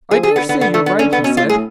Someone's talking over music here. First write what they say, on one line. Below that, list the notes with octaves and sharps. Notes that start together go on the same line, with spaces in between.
"I daresay you're right," he said.
F3 G#4
G#4
D3
B3
D3 B3
B3
A3
B3
C#4
B3
B2 C#4
F4
A2
G#4